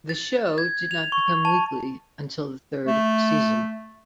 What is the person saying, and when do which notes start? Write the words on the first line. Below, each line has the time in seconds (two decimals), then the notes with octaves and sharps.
The show did not become weekly until the third season.
0.09 A6
0.58 G#6
0.91 F7
1.12 C#6
1.45 A5
2.87 A3